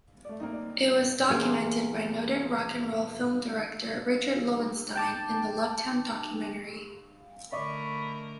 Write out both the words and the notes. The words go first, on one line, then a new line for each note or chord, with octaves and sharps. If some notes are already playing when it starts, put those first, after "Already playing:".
It was documented by noted rock'n'roll film director Richard Lowenstein in the "LoveTown" documentary.
A3 D5
A#3 C4 D#4
D5
E2 A#2 A#3 G4 G#4 F#5
G5 A5 D6
D3 A3 A#4 D5 D#5 B5 C#6 D6